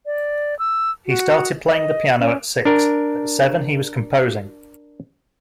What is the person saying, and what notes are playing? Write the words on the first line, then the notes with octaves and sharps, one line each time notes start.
He started playing the piano at six; at seven he was composing.
D5
E6
F#4
D#5
C#4
D4 A#4